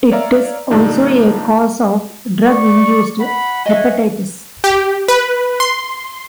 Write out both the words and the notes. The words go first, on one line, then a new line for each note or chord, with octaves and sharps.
It is also a cause of drug-induced hepatitis.
C#5 D5 E5 F5 A#5
G2 A#2 D3 A#3 D4 D#4
D5 C#6
F#5 B5
C#5 D#5 E5 F#5 G#5
G4
B4
C6